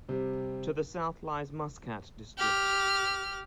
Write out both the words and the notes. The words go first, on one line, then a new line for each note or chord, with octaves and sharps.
To the south lies Muscat District.
C3 G3
G4 F6